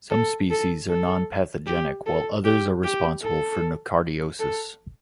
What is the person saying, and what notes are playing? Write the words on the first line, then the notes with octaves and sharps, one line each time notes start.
Some species are nonpathogenic, while others are responsible for nocardiosis.
A4
A4
A4
G4
A4
G4
G4
A4
A4